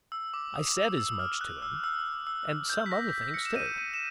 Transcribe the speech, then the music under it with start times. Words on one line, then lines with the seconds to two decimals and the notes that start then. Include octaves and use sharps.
I said as much to him--and some other things too.
0.12 E6
0.34 D6
0.55 D#6
0.77 E6
0.98 E6
1.19 F6
1.41 F#6
1.62 E6
1.84 E6
2.27 E6
2.70 G6
2.86 B6
2.91 A#6
3.13 B6
3.34 C#7
3.45 E7
3.56 D#7
3.78 D#7
3.94 E7